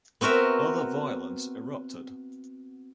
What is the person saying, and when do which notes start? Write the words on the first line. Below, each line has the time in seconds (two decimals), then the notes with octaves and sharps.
Other violence erupted.
0.21 B3 C4 F#4 A#4 E5